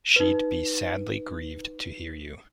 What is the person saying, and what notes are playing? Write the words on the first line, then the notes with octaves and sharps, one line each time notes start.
She’d be sadly grieved to hear you.
D#4 B4